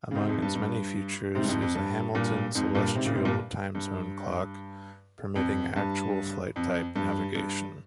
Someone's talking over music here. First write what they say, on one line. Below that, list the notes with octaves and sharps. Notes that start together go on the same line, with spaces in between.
Among its many features is a Hamilton celestial time-zone clock permitting actual flight-type navigation.
C#3
G#2 C3
F2 G#2
G2
G2
G#2 C3
G2
F2 G#2
F2
G2
G2 A#2
F2 G#2
G2 A#2
G#2 C3
A#2 C#3
G#2 C3
G2 A#2
G2
F2
G2
F2
G2
G2